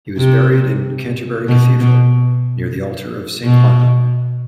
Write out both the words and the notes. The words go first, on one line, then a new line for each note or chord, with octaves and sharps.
He was buried in Canterbury Cathedral, near the altar of Saint Martin.
C3
B2
B2
B2